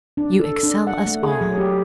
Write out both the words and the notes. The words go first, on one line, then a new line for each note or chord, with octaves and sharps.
"You excel us all."
D4
A4
D4
F#5
A3
G#4
F#3
G4